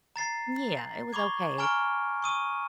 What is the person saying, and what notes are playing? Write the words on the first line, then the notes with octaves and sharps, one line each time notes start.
Yeah, it was okay.
A#5 A6 C7
B5 C#6 D6 G#6
G#5 A#5 C#6 F6 D7
C#6 D#6 D#7